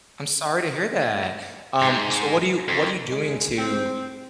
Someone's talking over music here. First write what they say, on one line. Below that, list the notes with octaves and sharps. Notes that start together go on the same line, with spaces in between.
I'm sorry to hear that, um, so, what are you what are you doing to
G#2
F2
G#3
C4